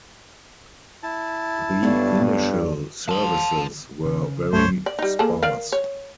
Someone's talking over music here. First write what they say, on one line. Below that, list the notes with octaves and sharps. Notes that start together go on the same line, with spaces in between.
The initial services were very sparse.
E4 A5
G2 B3 D4 A4 C#5
A5 C6
C#3
D2 G#2 A3 C5 C#5
D5
G3 D#4
A#3 G#4 A4
A#4 D5 F5
C#5